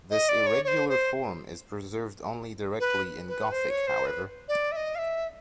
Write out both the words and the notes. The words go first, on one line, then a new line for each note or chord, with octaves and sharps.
This irregular form is preserved only directly in Gothic, however.
D#5
D5
C#5
C#5
C5
C5
B4
B4
C5
C#5
C5
B4
D5
E5
D#5
F5
E5